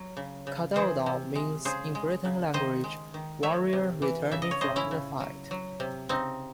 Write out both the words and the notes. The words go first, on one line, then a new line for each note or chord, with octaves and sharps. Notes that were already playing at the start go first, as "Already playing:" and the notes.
Cadoudal means in Breton language "warrior returning from the fight".
Already playing: F#3
C#3
C#3
E3 G#4 C5
C3
G#3
C#3 G#4 C5
G#3
C#3
D#3 C5 D#5
G#3
D#3
A3 C#5 E5
C3
E3
C#3 E5
D#5
C#5
C#3 C5 D#5
C#4 E4
C#3
F#3
F#3
C3
C#3 C4 D#4